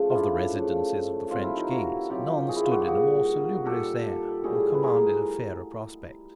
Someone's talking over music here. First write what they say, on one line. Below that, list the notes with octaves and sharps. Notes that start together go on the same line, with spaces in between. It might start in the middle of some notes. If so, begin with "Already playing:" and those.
Of the residences of the French kings none stood in a more salubrious air or commanded a fairer prospect.
Already playing: C#3 F3 A3
D4 E4 F4
C#3 F3 A3
C3 D#3 F#3 F4
E4
D#4 F4
E4 F#4
C3 D#3 F#3 F4 G4
F#4 G#4
E4
F4
F#4
G4
A#2 G3 F#4 G#4
A#2 G3 G4 A4
A2 E3 G3 F#4 G#4
B4
G#4 A#4